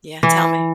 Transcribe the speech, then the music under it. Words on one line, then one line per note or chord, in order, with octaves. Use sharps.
Yeah, tell me.
E3